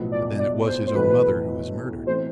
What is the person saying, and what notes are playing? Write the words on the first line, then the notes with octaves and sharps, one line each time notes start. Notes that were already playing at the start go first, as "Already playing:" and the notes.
"But then it was his own mother who was murdered."
Already playing: B1 A2 F3 B3
D5
D5
C5
C5
B1 A2 E3 A3 B4
E3 A3 C4 C5